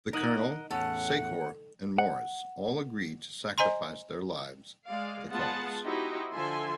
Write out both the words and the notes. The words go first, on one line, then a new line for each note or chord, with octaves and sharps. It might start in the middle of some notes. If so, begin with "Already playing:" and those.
The Colonel, Secor, and Morris all agree to sacrifice their lives for the cause.
D#4 A#4 D#5 F#5
E2 A2 C#4 A4 F#5
F#5
C5 D#5 G#5 A#5 C6
G#3 D5 F5
G#3 B3 F4 G#4 F#5 A5
D#4 E4 F#4 G4 C5 D#5
D3 F3 A4 E5 G#5 C6